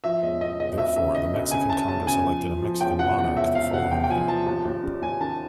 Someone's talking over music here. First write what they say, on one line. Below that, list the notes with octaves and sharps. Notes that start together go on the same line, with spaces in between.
Therefore, the Mexican Congress elected a Mexican monarch the following year.
F3 E5
E1 D#5
E1 D#5
E1 D#5
D2 E5
C#3 E5
C#3 D#5
D2 D#5
C#3 G#5
C#3 A5
E1 A5
C#3 G#5
F3
F3
F3
E1 G5
C3 F#5
E2 F#5
E1 E5
C3 F5
C3 F#5
E2 G5
G5
F3 G#5
F3 A5
D#2 A5
D#2
G3
D#2 G#5
D#3 A5